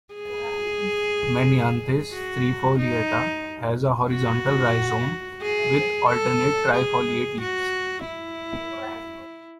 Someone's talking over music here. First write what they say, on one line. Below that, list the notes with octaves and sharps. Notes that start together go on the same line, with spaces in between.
"Menyanthes trifoliata" has a horizontal rhizome with alternate, trifoliate leaves.
G#4
F#4
D#4
F#4
G#4
A4
G#4
F#4
E4